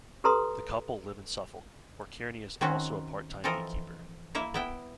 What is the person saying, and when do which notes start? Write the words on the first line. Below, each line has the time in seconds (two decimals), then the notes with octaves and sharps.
The couple live in Suffolk, where Kearney is also a part-time beekeeper.
0.24 G4 A4 B4 A#5 C6 D#6
2.61 D#3 C4 C#4 F#4
3.44 E3 F3 C4 A4 A#4 D#5
4.35 A#3 E4 E5
4.54 B3 E4 G5